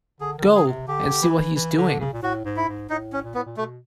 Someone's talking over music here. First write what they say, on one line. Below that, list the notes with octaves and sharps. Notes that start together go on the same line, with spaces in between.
Go and see what he is doing.
D3 G#4
D#3
D3
G#4
C3
D3 G4
E3
E3
D3
C#3
A#2
A2 F#4
G#2
E4
G#2
A2 D#4
C#4
A#2
A2 B3
A#2
B2 A3